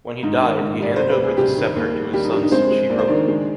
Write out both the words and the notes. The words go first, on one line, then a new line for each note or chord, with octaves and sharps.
When he died, he handed over this scepter to his son Sinchi Roca.
G#2 D#4
D#3
G#2
G3 D5
C3 C5
B4
D2
G#4
C3 G3 G4
D#3
D#2
G3
D#2 G3 G4
D#4
G3 D4
D#4
G#3 C4 C5
G#3
D#2 D5
C5
D#3 D4 D5
G#3